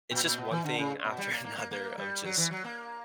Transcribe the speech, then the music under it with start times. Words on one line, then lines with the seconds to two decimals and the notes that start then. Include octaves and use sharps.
it's just one thing after another of just
0.11 A#2
0.24 A#2
0.38 B2
0.51 E3
0.65 D3
0.78 C#3
1.04 B2
1.18 G3
1.31 A#3
1.44 A#3
1.58 A#3
1.71 A#3
1.98 G3
2.24 F#3
2.37 E3
2.51 F#3
2.64 A#3